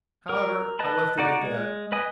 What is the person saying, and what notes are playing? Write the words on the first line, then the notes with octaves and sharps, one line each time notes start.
However, I left it at that.
A#4
B4 D#5 A5 B5
D#4 F#4 D5
G#3
B4 D#5 G#5 D#6